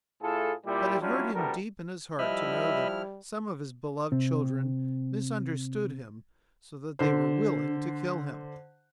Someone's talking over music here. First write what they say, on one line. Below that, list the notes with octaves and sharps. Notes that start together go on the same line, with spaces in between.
But it hurt him deep in his heart to know that some of his beloved children misunderstood him so that they were willing to kill him!
A2 E4 F4 G#4 A4
A#2 G3 E4 G4
F#3 G3 C#4 D4 E4 F4
D2 E3 G3 B3 A4 A#4
F3 G3 E4 D#5 E5 B5 F6
C3 C4
D3 C5